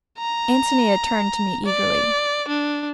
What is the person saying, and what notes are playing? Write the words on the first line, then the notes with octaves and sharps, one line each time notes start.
Antonia turned to me eagerly.
A#5
D5
D4